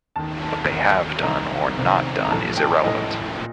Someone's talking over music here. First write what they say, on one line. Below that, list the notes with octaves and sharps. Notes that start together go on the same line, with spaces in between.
What they have done or not done is irrelevant.
D#2 D#3 A5
D#2 D#3
C2 C3 D#3 A#5
C2 C3 D#3
A#5
A#1 A2 A5
G5
A#1 A2 D#5
A#2